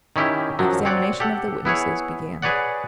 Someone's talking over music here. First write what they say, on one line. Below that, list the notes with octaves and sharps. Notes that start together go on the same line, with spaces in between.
The examination of the witnesses began.
D#3 C#4 E4 G4
F#2 F3 F#3
C4 C#5 D5 F#5
G4 A4 F#5
B3 E4 G#4 C#5
G#4 B4 C#5 D5 F#5